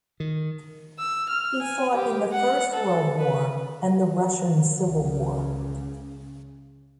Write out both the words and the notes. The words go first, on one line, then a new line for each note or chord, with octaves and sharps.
He fought in the First World War and the Russian Civil War.
D#3
E6
F6
G#5
G4
F#5
A4
B4
C#2 C#3